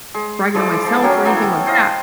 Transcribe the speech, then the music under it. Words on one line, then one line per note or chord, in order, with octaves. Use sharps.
bragging on myself or anything like that,
G#3
F3 G#3 E4 D5
F3 A4
F#3 A#3 C#4 G4
E3 B3 E4 A4
C5 D#5 F5